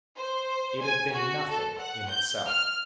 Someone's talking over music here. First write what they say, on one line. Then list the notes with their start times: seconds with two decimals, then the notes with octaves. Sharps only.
It had been nothing in itself.
0.18 C5
0.82 G#5
1.14 F#4
1.49 A4
1.78 F#5
2.09 G6
2.47 F6